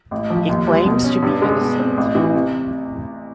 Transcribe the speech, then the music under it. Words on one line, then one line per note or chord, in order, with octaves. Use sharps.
He claims to be innocent.
A1
F3
D#2
G3
B2
C#4
G2
G#3
B2
C4
A1
E3
C3